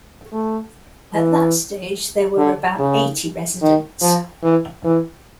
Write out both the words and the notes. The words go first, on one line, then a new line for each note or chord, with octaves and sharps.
At that stage there were about eighty residents.
A3
E3
D3
C#3
D#3
F3
E3
E3